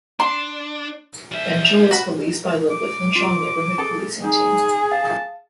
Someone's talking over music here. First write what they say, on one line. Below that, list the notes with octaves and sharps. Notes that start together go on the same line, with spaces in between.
Benchill is policed by the Wythenshawe Neighbourhood Policing Team.
D4 C6
G3 E5
F#4 B5
D6
F4
G#4 A4 A5
D#4 G#4
F5 A5